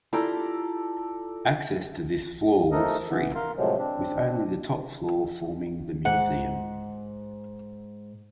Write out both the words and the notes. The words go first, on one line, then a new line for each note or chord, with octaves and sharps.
Access to this floor was free, with only the top floor forming the museum.
E4 F4 G4 A4 D5 A#5
F3 A3 D#4 A4 A#4 D#5
E3 B3
A#4 F5 C6
A2 C3 F3 F#3 G#3
C4 D4
G#2 F#5